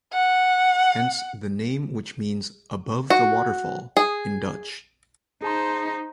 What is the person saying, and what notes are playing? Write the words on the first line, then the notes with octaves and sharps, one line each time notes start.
Hence the name which means "above the waterfall" in Dutch.
F#5
F#4
G#4
D#4 G#4 C5 A5 C6